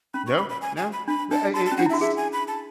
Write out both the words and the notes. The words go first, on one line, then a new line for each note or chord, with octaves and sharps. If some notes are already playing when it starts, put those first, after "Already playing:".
No, no. But, I I it it's
C#4 B5
C#6
B5
B5
G#5
G#5
B5
D4 B5
D4 A5
F#4 A5
A5
C#4
D4 F#5
E4
E5
F#4
G#4 E5
G#5
B5
A5